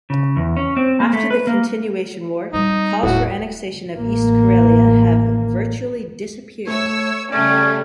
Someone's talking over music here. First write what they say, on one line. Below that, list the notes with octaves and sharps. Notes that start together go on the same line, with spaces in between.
After the Continuation War, calls for annexation of East Karelia have virtually disappeared.
C#3
E2
C#4
C4
A#3
A3
B4
A#3
G3 C4 D#4
D#1 E2 A2 F#4
A1 A#3
A3 C#5 E6
C#3 G3 A3 C#4 D5